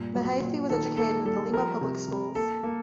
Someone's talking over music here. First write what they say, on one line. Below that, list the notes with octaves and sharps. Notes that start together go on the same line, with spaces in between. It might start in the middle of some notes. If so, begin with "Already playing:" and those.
Mehaffey was educated in the Lima public schools.
Already playing: G2 A#2
F#3
A#2
D#3 A4
A#3 A4
G3 A4
F3 A#4
C3
C3
A#3 A4
A#3